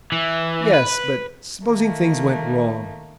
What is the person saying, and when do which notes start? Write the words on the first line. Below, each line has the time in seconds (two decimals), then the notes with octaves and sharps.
"Yes; but supposing things went wrong?"
0.12 E3
0.74 B4
1.67 D#3 A3 A#3